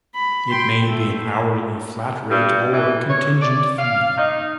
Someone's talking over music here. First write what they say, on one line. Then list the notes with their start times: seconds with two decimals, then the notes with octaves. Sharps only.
It may be an hourly, flat-rate or contingent fee.
0.15 B5
0.51 G5 C6
0.85 A3
2.30 G2
2.72 E3
3.09 C#5
3.41 D5
3.79 F5
4.18 D#4